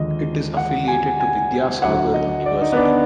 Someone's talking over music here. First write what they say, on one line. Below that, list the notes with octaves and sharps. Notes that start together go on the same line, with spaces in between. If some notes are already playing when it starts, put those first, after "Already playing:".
It is affiliated to Vidyasagar University.
Already playing: D#2 D3 F3 G#3 D#5
F#5
G#5
G#5
D2 D3 F#3 F#5
D#5
D5
D#4
B3
D4